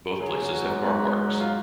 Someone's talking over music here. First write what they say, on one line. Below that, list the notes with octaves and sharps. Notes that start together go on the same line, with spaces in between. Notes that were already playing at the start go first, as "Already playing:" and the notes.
Both places have car parks.
F#3 G#4
F#3
F#4
G#2
G#2 F#4
G#2
F#3
F4